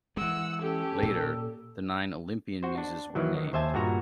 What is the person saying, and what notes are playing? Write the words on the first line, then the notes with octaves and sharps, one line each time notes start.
Later, the Nine Olympian Muses were named.
E3 G#3 F#5 E6
C#4 G4 A4
A#2
F#4 C5
D4
D#3 E3 F#3
D#3
D#2 C5 E5 G#5 A5
G2 A#2 F#4 A#5